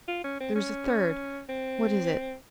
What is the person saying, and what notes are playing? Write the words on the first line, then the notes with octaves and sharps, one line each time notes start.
There is a third. What is it?
F4
C#4
C4
C#4
C4